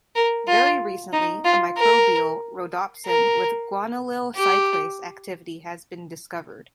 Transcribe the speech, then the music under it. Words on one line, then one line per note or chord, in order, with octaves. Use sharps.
Very recently, a microbial rhodopsin with guanylyl cyclase activity has been discovered.
A#4
F4
D#4
F4
A#4
A#4
G4